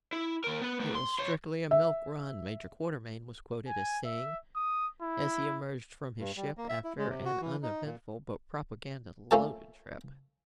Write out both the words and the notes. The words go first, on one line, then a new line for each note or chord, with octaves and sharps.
"It was strictly a milk run," Major Quartermain was quoted as saying as he emerged from his ship after an uneventful but propaganda-loaded trip.
E4
D#2 A#4
B3 B4
A3 B4
C6
C#5 C6
E5
G#5
E5
D#6
E4
G2
G3
A#3
E5
E4
G#3
C3
F#4
E3
D#4
A#2
A3 A#3 C#4 F4 A4 G#5